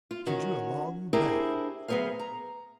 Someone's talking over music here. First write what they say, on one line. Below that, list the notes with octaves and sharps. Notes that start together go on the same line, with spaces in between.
She drew a long breath.
F4
D#3 C#4 F#4
D4 E4 G4 G#4 A#4 C5
D2 F#3 B3 G#4 C5 F5
A#5